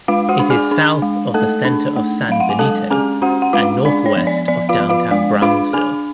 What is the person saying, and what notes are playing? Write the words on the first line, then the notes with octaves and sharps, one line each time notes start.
It is south of the center of San Benito and northwest of downtown Brownsville.
G#3 F4 F5
F#4 F#5
D4
G#4 G#5
D4
G#3
A3 A4 A5
D4
A3
F#3 F5
F#5
G#5
G#3 A4 A5
C#4 G#4 G#5
C#4 F#4 F#5
F#5
G#3 F4 F5
D4 D5
C#5
F3
D5
F3 D5
F4 F5
F3
F4 F5
G#3 D5
D4 F4 F5
D4 G#4 G#5